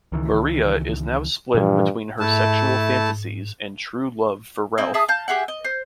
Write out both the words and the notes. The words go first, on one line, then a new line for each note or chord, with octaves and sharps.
Maria is now split between her sexual fantasies and true love for Ralf.
C#2 D#3 E3
G2 A#2 E3 F3
G#2 A3 E4 A5
C4 E4 D#5
G#4 E5 A5 D#6
F5 A5 G6
G4 G#4 E5 F#5
D#5
C5